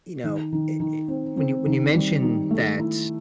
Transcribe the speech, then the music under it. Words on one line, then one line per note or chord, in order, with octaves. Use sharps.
you know i i when you when you mention that
D#3
D#3
D#3
C4
C4
D#3
G3
D#3
A3
E4